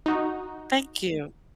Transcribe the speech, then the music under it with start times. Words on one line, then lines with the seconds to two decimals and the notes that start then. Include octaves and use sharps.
Thank you.
0.06 D#4 F#4